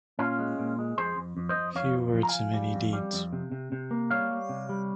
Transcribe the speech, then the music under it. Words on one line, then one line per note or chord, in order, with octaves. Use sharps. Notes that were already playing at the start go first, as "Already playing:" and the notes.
Few words and many deeds.
A#2 C#4 F4
G#3
A#2
G#3
F2 G#4 C5
F2
F2
C5 D#5
F2
F2 C#5 F5
F3
F3
A#5
F5 G#5
F3
G3
F2
G3
F2
C3
C3
C3
A#3
G3 C#5 F5
G3
C3
G3